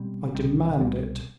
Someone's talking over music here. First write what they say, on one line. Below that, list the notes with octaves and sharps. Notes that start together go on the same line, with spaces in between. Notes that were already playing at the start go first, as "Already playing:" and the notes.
"I demand it."
Already playing: B2 G3 C4
C2 B2 G3 C4
C2 B2 G3 C4